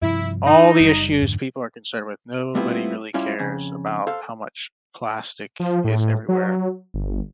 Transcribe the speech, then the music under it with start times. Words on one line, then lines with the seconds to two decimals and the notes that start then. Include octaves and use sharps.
all the issues people are concerned with, nobody really cares about how much plastic is everywhere,
0.02 G2 C3 F3 E4
0.46 D#4
0.81 F#1 C#3 G3
1.22 F2 G#2 D3
2.55 G3 A3 B3 C4 E4 F4
3.14 G3 C#4 E4 F4
3.39 F2 C#3
4.07 A4 C5 F5
5.60 F3
5.84 A2
6.29 F#3
6.94 G1